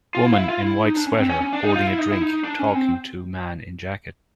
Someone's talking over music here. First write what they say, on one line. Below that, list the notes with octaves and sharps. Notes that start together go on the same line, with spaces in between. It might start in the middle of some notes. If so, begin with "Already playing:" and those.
Woman in white sweater, holding a drink, talking to man in jacket.
F4
E4
F4
E4
F4
E4
D#4
D4
C#4
C4
C#4
C#4
D4
D#4
F4
E4
D#4
E4
D#4
D4
C#4
C4